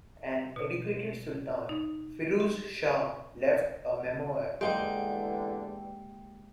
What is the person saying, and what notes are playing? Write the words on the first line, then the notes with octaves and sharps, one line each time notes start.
An educated sultan, Firuz Shah left a memoir.
B2
D#4
G4
E2 D3 G#3 A#3 G4 G#4 G5